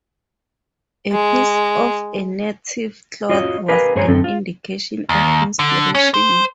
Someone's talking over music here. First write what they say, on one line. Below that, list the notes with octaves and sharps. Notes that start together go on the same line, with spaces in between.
A piece of a native cloth was an indication of inspiration.
G#3
F4 F#4 C#5 D#5
G4 A#4 B4 D#5 F5 G#5
G2 G#4 C5 C#5 G#5 A#5
F#2 D3 C4 A4
F4
D#2
D3
C#4
C5